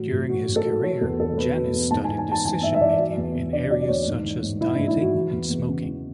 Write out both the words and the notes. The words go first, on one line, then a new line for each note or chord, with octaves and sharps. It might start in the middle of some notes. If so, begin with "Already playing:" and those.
During his career, Janis studied decisionmaking in areas such as dieting and smoking.
Already playing: A2 E3 F#3
A2
F#3 F#4
A2
A4
F#3
F#3 C#5
E2 A4
E2 A4
B2 B4
F#3
E2
G#2 A5
G#5
E3
G#5
G#2 A5
E3 G#5
G#2 E5
E5
E3 D5
F#3
E2
E2
D3 D5
F#3 D5
E2 C#5
G#2
E3
G#2
E3 E4
D4
G#2
E4
E3 F#4
E3
E2
E2
C#3
E3